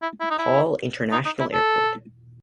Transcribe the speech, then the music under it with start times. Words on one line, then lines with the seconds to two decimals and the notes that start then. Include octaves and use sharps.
Paul International Airport.
0.02 E4
0.20 E4
0.31 D#4
0.38 E4
1.12 D#4
1.25 D#4
1.39 E4
1.53 A4